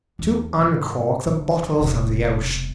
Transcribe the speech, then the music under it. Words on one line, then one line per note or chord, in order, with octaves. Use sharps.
"To uncork the bottles of the ocean."
E2 D#4
G#2 C3
A#1
E1 C3